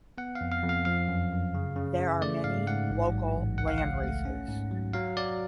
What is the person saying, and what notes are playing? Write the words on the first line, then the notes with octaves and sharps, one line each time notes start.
There are many local landraces.
B3 F#5
F5
F2
F5
F2
F5
F3 F5
F#2
F#2
C#3
C#3
C#3
A3 D5
G#2 F5
G#2 F#5
A1
F#3
A1
C#2 F#5
F5
C#2 F#5
A3
C#4
G#2
F#3
F#3 F5
F#3 D5